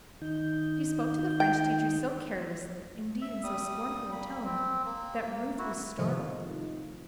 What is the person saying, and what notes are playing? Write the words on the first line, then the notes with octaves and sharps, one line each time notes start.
She spoke to the French teacher so carelessly--indeed, in so scornful a tone--that Ruth was startled.
D#3 D#4 G6
G5
E5
G3 D#6
A#3 B5
C4
A#3
E4 F#4
A2 C3 D#3 F3 D#4 F4